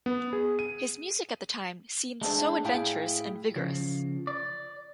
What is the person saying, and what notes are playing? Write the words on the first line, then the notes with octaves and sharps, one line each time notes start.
His music at the time seemed so adventurous and vigorous.
B3
G#4
D#7
G#3 A3 C4 D4
A2 E4 G#4 F5 G5
C#3 F3
D5